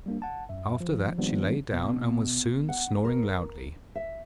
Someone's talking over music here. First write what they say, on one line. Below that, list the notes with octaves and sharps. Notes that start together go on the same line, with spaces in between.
After that she lay down and was soon snoring loudly.
G3 A#3 D4
F#5 A5
F#2 E5
F3
D#3 F3 G3 A#3 B3 D4
B2
F#5
A#4
E5